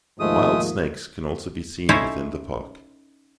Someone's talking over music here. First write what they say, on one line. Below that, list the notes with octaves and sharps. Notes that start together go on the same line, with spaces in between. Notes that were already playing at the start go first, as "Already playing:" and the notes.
Wild snakes can also be seen within the park.
D#2 G#2 F3 G#3 A3 D#6
C#4 D#4 E4 A4 C5 C#5